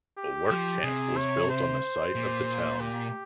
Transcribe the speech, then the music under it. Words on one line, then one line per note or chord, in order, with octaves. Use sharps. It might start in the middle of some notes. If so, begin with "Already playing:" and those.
A work camp was built on the site of the town.
G4
F3
C3 G#4
C#5
C5
A#2
G4